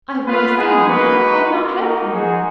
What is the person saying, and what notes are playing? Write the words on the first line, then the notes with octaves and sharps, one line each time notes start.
I have not seen him; I have not heard from him.
B3 F4 B4
G#3 B3 D#4 G#4
A#3 D#4 F#4 B4
G#3 D#4 F#4
A#3 F4 A#4
A#3 D#4 F#4 A#4
G#3 D#4 F#4 G#4